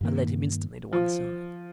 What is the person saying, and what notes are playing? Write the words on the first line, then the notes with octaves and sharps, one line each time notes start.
I led him instantly to one side.
G2 D#3 A#3
F3